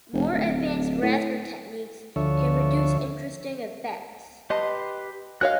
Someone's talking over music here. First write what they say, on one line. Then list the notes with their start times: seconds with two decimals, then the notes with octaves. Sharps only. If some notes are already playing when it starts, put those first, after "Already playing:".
More advanced raster techniques can produce interesting effects.
0.13 F1
0.33 D1
1.02 A2
2.16 D2 D3 F3 A4 C#5 E5
4.50 G4 B4 D#5 A5 C6
5.41 F#4 C#5 D#5 F5 G#5 F#6